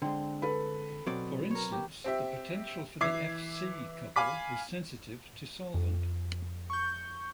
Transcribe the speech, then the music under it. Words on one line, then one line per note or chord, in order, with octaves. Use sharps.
For instance, the potential for the Fc couple is sensitive to solvent.
D3 G#3 C4 D4
A4 B4 B5
B2 F#3 C4 D5
A#4 C#5
G4
C4 G4 E5
E3 E5 D6 G#6 C7
F5 G#5 B5 D6 B6
F2
C#6 G6